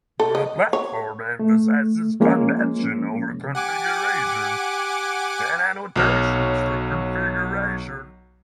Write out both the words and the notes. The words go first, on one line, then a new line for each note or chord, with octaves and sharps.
The platform emphasizes convention over configuration and annotations for configuration.
A4
D#5
C#5
A3
F3 G#3 A#3 C#4
G4 F#5 G#5 D6
B1 F#3 C#5 F6